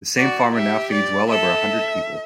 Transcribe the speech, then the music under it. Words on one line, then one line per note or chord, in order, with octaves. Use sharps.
The same farmer now feeds well over a hundred people.
F#4 D5
G4 E5
D5
A4 E5